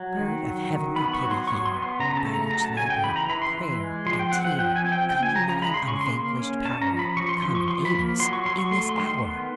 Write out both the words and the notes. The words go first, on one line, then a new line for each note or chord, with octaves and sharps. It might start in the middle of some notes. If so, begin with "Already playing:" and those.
"Bird of heavenly pity here, By each labour, prayer and tear, Come in thine unvanquished power, Come and aid us in this hour!"
Already playing: F#3
D#3
F#3
D#3
B3 B5
C#6
F#3
C6
F#3 C#6
C6
B3
C6
C#3 A#5
A#5
A5
A3
A#5
F#3 A#5
A5
C#3 G#5
G5
E3 B5
A#5
E3 B5
C6
E3
G#3
F3 C6
G5
C4 F#5
F#5
F3 G5
G#5
C4
G5
C#3 G5
G#5
C#3 A#5
A#5
G#3 B5
C6
C#3 C#6
C6
A#3
C#4
C#4 A5
A#5
F3
B5
F3 C#6
C6
F3 C6
C#6
F3 C6
B5
A#3
F#3 C6
C#6
F#3 C6
C#6
A3 C6
C6
D#3
C6
B3 C6